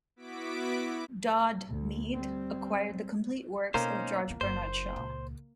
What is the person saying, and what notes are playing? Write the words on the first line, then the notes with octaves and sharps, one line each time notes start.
Dodd, Mead acquired the complete works of George Bernard Shaw.
B3 E4 F#4 D6 B6 D7
D2
G3 C4
B2 A#3 C#4 D#4 C5
E2 F4
F#1 C5
C#2 A#2